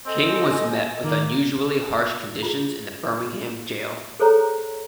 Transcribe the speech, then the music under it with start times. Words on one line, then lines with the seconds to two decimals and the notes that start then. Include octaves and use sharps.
King was met with unusually harsh conditions in the Birmingham jail.
0.06 C4 A4 D#5 G#5
1.04 D#3 A#3
2.43 F4 G#4
4.20 G#4 A4 C5 C#5 A#5